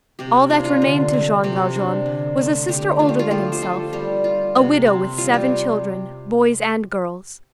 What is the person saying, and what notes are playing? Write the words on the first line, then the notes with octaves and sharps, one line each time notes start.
All that remained to Jean Valjean was a sister older than himself,--a widow with seven children, boys and girls.
C3 G4
D4 F4
F4
D3
C4
C3 G4
D4
D3
A3
D3 G4
A3 F4
G4
F4
F3 G4
C5
F4 A4
G3 G4
F4
C3
C4
G3 F4
G4